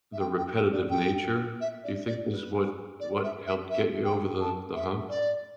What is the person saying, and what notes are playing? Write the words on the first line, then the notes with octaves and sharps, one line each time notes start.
The repetitive nature, you think, is what what helped get you over the the hump?
E5
G5
G5
G5
D5
G5
E5
D5
D5
B4
D5
E5
E5
E5
G5
A5
E5
D5